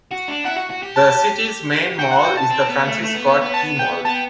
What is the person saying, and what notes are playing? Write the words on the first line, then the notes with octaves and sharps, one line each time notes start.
The city's main mall is the Francis Scott Key Mall.
F#4
D4
E4 F#5
F#4
F#4
G4
A5
F#4 G5
F#5
F#4
G5
A5
C4
B3
A3
A3
B3
B3
B3
A5
G5
B3 A5
G5